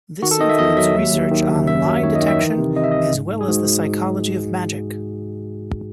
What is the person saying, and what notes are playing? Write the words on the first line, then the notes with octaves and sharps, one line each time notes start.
This includes research on lie-detection as well as the psychology of magic.
D#3 F#4
A4
D#3 D#5
E5
E2 D#5
F#3 E5
D#2
D#2
D#3
D#2
F#2 E5
F#3
D#3 C#5
D#5
D#3
E5
E3
C3
C3 D#5
E5
C2 D#5
G#2
G#2
G#4
G#2 F#4